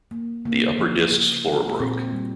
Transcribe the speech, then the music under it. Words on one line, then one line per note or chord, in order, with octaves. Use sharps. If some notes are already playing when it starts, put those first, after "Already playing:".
The upper disc's floor broke.
A#3
C#3 A#3
F3
C#3
G#3
A#2 C4
G3